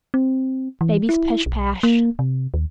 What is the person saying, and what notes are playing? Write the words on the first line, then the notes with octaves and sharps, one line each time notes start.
Baby's Pesh-Pash.
C4
E3
E4
B1
A#3
C3
D#2